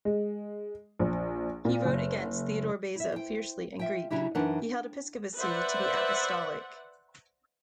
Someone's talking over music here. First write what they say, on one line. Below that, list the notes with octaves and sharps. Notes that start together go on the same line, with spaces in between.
He wrote against Theodore Beza fiercely in Greek; he held episcopacy to be apostolic.
G#3
A#1
A#2
F#1
E4 E5
C5 G5
F4 E5 G5
C#3 F#3 D4 E4 G4
F#2 E3 D4 D#4 A#4 F#5
G5
B4 C5 D5 E5 F#5